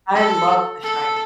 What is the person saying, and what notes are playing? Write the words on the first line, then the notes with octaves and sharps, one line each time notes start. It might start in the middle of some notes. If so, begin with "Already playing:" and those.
I loved The Shining.
A4
A4